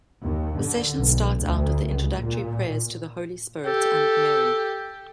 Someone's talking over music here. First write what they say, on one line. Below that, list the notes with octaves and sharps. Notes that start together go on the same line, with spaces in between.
The sessions start out with the introductory prayers to the Holy Spirit and Mary.
D#2
D3
B1
D2
C#2
A#2
G4 A4